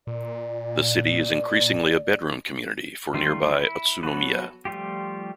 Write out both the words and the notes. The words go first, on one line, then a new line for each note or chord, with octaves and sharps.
The city is increasingly a bedroom community for nearby Utsunomiya.
A#2 D5
D#3 G3 A3 F4
E4
F#3 B3 F#4 A4 B4
F3 G3 A3 F4 G4